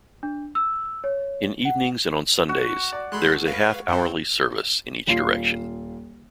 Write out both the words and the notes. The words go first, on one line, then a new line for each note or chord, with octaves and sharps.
In evenings and on Sundays there is a half-hourly service in each direction.
D4
E6
C#5
F#5
F#4
D5
G#3 A3 B5 C6 F#6
B4 F5
F2 C4 F#5
D#1 F4 C7